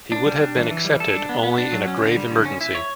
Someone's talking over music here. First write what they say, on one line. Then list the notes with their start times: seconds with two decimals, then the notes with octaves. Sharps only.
He would have been accepted only in a grave emergency.
0.12 D4
0.26 G3
0.41 D4
0.56 E3
0.71 E3
0.85 G3
1.00 A4
1.14 D4
1.29 B3
1.43 B3
1.58 D4
1.72 F#3
1.88 C#4
2.02 D3
2.16 G3
2.31 D3
2.45 C#4
2.61 E4
2.75 C#5